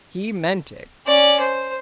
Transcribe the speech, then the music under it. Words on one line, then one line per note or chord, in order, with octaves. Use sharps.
He meant it.
C#4 D5
C5